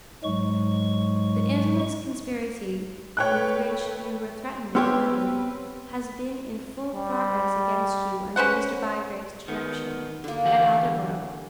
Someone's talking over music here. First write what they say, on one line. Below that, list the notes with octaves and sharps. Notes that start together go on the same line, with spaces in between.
The infamous conspiracy with which you were threatened in London has been in full progress against you under Mr. Bygrave's direction, at Aldborough.
G#2 F#3 G#3 C#6
A3 B4 C#5 G5 F#6
B3 C4 G4 B4 C#5 C6 E6 F6
G3
C#4 B4 C5 F#5
D#3 B3
D3 A#3
E3 G4 F#5